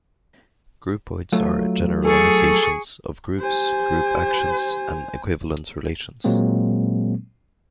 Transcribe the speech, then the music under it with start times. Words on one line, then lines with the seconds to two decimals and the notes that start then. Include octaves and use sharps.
Groupoids are generalizations of groups, group actions and equivalence relations.
1.33 F#3 A3 F4
2.05 G#4 A4 C#6
3.39 G4 C5 G#5
6.24 A#2 F#3 G#3 A#3 C4